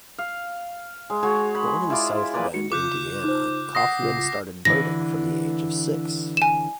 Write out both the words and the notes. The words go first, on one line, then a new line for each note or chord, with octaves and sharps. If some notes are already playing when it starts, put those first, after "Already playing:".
Born in South Bend, Indiana, Kaufman started birding from the age of six.
F5
G#3
G#3 F#4 C#5
B5
E4 F4 D5
A#2 A#3 B4 D5
G#3 D#4 F#4 C#7
C#3 F4 D6 F#6 G6
D#4 C5
F#5 D#6 A#6 C7
C2 C#3 F4
D3 E3 A#6
G#5 E7